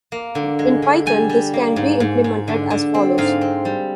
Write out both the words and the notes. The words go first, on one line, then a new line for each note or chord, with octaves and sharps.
In Python, this can be implemented as follows.
A#3
D3
G#3
D3
G3 G#5
G3
A#3
G#2
G#2
G#2
D3
D3
C4
G#2 F5
C4
G3